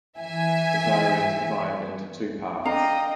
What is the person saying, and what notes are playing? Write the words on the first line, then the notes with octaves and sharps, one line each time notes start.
The diary is divided into two parts.
E3 E5 G#5
D4 D#5 F5 G5 A#5